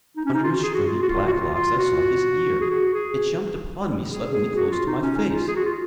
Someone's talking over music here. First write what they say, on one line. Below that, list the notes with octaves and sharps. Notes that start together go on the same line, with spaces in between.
Under his stringy black locks I saw his ear; it jumped upon me suddenly close to my face.
D#4
C#4
D#4
F4
F#4
G#4
F#4
F4
F#4
F4
F#4
F4
F4
F#4
G#4
F#4
G#4
G#4
G#4
F#4
F4
D#4
C#4
D#4
F4
G#4
F#4
F4